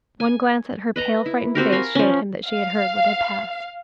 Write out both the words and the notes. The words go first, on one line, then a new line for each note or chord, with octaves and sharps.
One glance at her pale, frightened face showed him that she had heard what had passed.
G#5
B4 D#5 A#5
E4
C4 F#4 G4 A#4
A#4 F5 G#5 B5
F3 C#4
F5